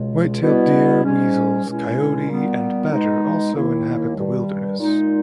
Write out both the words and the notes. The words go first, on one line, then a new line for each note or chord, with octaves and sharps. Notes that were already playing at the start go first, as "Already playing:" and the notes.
White-tailed deer, weasels, coyote and badger also inhabit the wilderness.
Already playing: C#2 B2 G#3
B2 G3 B3 E4
G#2 G3 C#4
C#2 B2 G#3 C#4 E4
A#2 G3 B3
B2 G#3 D#4
D#2 D#3 A#3 E4
G2 D#3 G3
A#2 G#3 D#4